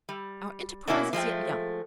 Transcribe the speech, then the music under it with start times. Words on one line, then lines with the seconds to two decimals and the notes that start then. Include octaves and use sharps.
'Our enterprise is yet young.
0.09 G3
0.87 B2 A#3 C#4 E4 F#4
1.13 F3 G#3 A3 G5